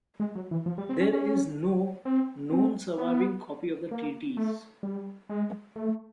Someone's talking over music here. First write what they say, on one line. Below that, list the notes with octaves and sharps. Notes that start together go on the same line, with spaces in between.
There is no known surviving copy of the treaties.
G#3
F#3
E3
F3
G3
C4
C#4
C#4
C4
C4
B3
A#3
A3
G3
G#3
A3